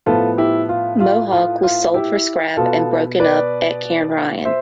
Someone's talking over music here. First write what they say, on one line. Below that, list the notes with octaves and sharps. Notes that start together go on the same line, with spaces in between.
"Mohawk" was sold for scrap and broken up at Cairnryan.
A2 F3 B3 F4 A4
E4 G4
F4
F4
F4
F4
E4 G4
B2 B3 F4 A4
B4 D5
C5 E5